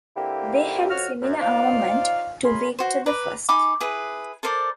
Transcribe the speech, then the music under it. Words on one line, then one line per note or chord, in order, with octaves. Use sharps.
They had similar armament to "Victor the First".
D3 A#3 C4 E4 G4
F2 F#4 C#5 F6
F#2
D#4 F4 C5 D5 F5
F#2 G#4 A#4 G#5 B5 C6
F#4 C5
B4 D5 A#5
D#4 G#5 B5 D6
E4 G#4 B4
A4 A#4 C5 D5